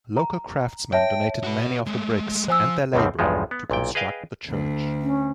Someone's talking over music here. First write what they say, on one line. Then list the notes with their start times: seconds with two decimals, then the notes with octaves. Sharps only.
Local craftsmen donated many of the bricks and their labor to construct the church.
0.17 A#5
0.93 C#5 E5 G5 A5
1.43 F#4 B4
1.87 G#3 A3
2.48 F3 C5 G#5 E6
2.94 C#2 F#2 B2 D3 D#3 C4
3.19 B1 E2 G2 F3 G#3
3.51 B3
3.70 B1 A#2 G5
3.95 G#4 B4 D#5 F5 G5 G#5
4.50 D2
5.02 C#4